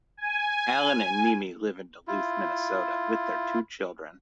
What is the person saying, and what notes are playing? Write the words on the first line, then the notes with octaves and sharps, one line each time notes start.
Alan and Mimi live in Duluth, Minnesota, with their two children.
G#5
E4 F4